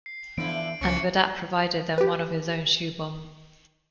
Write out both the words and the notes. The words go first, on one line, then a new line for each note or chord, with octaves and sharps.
And Badat provided them one of his own shoe bomb.
C7
D3 E3 F3 B3 E4 D7
C#2 E3 C#4 C#6 C#7
G4 B4